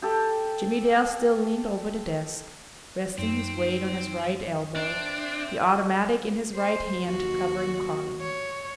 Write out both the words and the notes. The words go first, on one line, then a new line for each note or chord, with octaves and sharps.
Jimmie Dale still leaned over the desk, resting his weight on his right elbow, the automatic in his right hand covering Carling.
G4 A4
F#2 C4 D#4
C4 D4 E5
C5
D#2 F#4
C#5